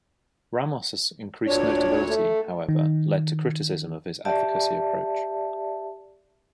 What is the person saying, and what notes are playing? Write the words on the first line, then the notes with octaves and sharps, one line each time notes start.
Ramos' increased notability, however, led to criticism of his advocacy approach.
D2 A#2 D4 C#5
A3
D#3
G4 D5 E5 A5